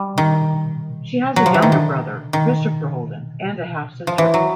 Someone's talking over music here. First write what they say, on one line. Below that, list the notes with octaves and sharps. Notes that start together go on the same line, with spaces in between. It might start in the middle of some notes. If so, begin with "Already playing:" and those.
She has a younger brother, Christopher Holden, and a half-sister.
Already playing: G3
D#3
F#3
F3
E3
D#3
D3
D#3
F3
E3
F#3